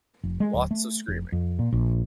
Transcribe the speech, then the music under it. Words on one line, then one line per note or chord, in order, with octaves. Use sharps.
Lots of screaming.
F1
G#3
D1
A3
F1
F2
A#2
A#1